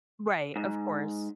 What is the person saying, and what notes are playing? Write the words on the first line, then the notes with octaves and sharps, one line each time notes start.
Right, of course.
G#2